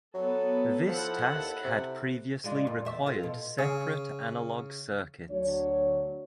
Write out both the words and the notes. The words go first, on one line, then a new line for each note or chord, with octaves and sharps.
This task had previously required separate analog circuits.
F#3 B3 A4
F3 E4 A4 F#5
D#2
C3
G#3 D4 F4
F2 A#2
E2 E5
F4 A4
B2
C#3
D2 F#3 D4 C#5